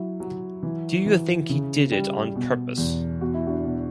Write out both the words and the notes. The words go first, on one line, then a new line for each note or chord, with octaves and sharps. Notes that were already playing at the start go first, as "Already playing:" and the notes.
Do you think he did it on purpose?
Already playing: F#3 E4
F#3
E3
E3
C#3
G3
B2
E2
B2 F#4
E4
D4 F#4
B2